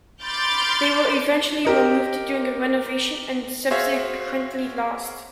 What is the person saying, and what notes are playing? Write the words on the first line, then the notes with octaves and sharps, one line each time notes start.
They were eventually removed during a renovation and subsequently lost.
B5 C6 D6 F6 G6 A6
G4 A#4 D#5
F#4 G#4 C5 C#5 E5 F5